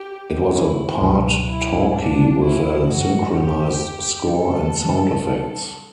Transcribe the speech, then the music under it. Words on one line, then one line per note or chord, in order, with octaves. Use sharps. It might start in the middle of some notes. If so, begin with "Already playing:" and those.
It was a part-talkie with a synchronized score and sound effects.
Already playing: G4
E4
C#2 B2 F#3
E4
D4
E4
F#2 E3 A3 F#4
G4
A4
C#3 E3 G3 C#4